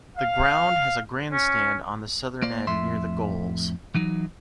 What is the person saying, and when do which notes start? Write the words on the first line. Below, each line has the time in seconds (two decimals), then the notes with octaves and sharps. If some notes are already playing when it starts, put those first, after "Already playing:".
The ground has a grandstand on the southern end near the goals.
0.17 F5
1.32 C#4
2.42 A#3 C5 D5
2.67 F2 A2 E5 C6
3.94 E3 F#3 D#4